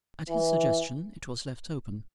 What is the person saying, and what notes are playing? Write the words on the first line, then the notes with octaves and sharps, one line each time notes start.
At his suggestion it was left open.
E3